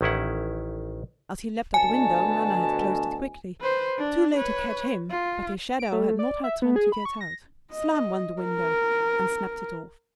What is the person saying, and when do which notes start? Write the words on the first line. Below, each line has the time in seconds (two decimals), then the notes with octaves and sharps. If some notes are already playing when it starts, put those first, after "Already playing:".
As he leapt at the window Nana had closed it quickly, too late to catch him, but his shadow had not had time to get out; slam went the window and snapped it off.
0.01 A1 D#3 C#4 E4 F#5
1.74 D2 B2 G#5 A5
3.61 B4 C5
3.98 D4
4.36 B4 C#5
5.10 F4
5.80 D7
5.92 A3
6.19 D5
6.44 E5
6.62 B3
6.76 G#4
6.92 B5
7.05 C#6
7.21 A#6
7.72 D#5
8.42 A#4